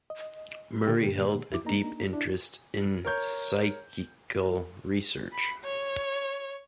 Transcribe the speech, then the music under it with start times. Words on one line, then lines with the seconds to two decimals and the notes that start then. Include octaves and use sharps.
Murray held a deep interest in psychical research.
0.10 D#5
0.87 A#2 D3 A#3 G4
1.50 E2 E4 D6
1.65 A#3 D4 D#4 A#5
2.13 D4 E4
3.05 A#4 C#5 G6
5.32 B5
5.63 C#5